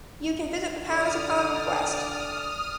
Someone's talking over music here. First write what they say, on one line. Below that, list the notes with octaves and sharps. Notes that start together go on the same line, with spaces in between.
You can visit the palace upon request.
D3 D5 D#6 F6